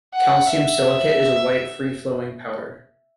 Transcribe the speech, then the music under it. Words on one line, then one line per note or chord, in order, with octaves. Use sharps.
Calcium silicate is a white free-flowing powder.
F#5
E5